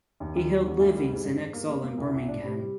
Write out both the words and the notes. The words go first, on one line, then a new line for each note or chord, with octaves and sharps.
He held livings in Exhall and Birmingham.
D#2
D#2
G3
D3
D2
G3
G#2
G#2
G#2
A#3
A#3
A#3
C2
C2
D4
C3
G3